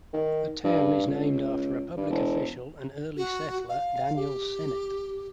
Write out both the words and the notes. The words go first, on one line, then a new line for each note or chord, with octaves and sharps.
The town is named after a public official and early settler, Daniel Sennett.
D#3
G2
C#2
G2
E1
F#4
F5
G4